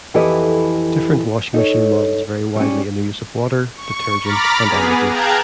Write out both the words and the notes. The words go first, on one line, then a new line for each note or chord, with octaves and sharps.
Different washing machine models vary widely in their use of water, detergent, and energy.
F2 E3 E4 G4 A4 D#5
D#4 A4 C#5
G3 C#4
C#6
A#5 B5 D6 F6 A6 B6
B3 G#4
F5 G5 A5 A#5 F#6 G#6